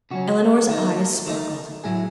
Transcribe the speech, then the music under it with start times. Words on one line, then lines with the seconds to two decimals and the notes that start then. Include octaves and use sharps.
Eleanor's eyes sparkled.
0.11 C#3 F#3 C#4 F#4
0.69 D#3 A3 D#4
1.26 D#3 A3 D#4
1.84 A2 F#3 A3 E4 G#4